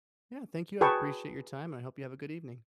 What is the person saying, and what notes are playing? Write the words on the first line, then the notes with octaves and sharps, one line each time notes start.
Yeah, thank you. I appreciate your time, and I hope you have a good evening.
F#4 G#4 B4 G5 A5 C#6